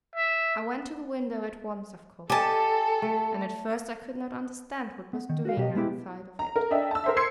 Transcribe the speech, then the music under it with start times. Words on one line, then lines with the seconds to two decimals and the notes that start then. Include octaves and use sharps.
I went to the window at once, of course; and at first I could not understand what was doing outside of it.
0.16 E5
2.30 G4 A4 D#5 G#5 A5
3.02 A3
5.13 B3
5.29 D#3
5.45 F#4 A#4 F5
5.57 B2 G4 D#5
5.75 G#3 B3 E4 G4
6.39 A#5
6.56 A#4
6.71 D4 A4 D#5 E5 G5
6.91 A5 E6
7.04 A#4 C5 E5
7.17 C6 E6 G#6 C7 C#7